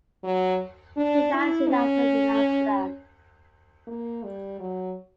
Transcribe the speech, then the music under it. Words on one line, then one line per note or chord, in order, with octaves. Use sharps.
He died soon after in Amsterdam.
F#3
D4
E4
C#4
A#3
G3
F#3